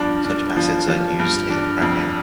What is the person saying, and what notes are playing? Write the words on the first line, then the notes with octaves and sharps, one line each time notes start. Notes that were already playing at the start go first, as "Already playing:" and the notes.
Such acids are used in cracking.
Already playing: G2 F3 D4
D4
F3
F3
G2
D4
F2